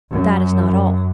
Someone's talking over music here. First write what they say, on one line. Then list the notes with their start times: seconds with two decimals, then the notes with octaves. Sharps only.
But that is not all.
0.12 F#2